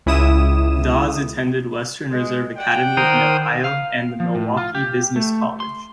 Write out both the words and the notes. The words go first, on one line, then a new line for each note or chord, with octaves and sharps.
Dawes attended Western Reserve Academy in Ohio and The Milwaukee Business College.
C#2 E4 D#6 E7
G#3
D5 F#5 G5
D#3 A#4 C5 D#6
F5
F3
A2
F4
G4
A3
C6